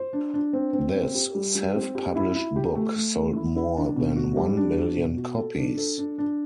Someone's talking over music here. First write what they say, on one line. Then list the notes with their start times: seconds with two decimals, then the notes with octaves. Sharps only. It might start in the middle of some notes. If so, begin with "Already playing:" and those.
This self-published book sold more than one million copies.
Already playing: C5
0.13 D4
0.34 D4
0.53 C4
0.73 C4
0.95 C4
1.15 G4
1.35 G3
1.55 G3
1.75 C4
1.95 G4
2.16 E4
2.35 E4
2.56 G4
2.75 A3
2.96 A3
3.15 A3
3.36 E4
3.56 E4
3.77 D4
3.96 B2
4.16 F#4
4.37 G3
4.57 D4
4.77 F#4
4.97 B2
5.17 F#4
5.37 A4
5.58 D4
5.77 A4
5.98 D4
6.18 D4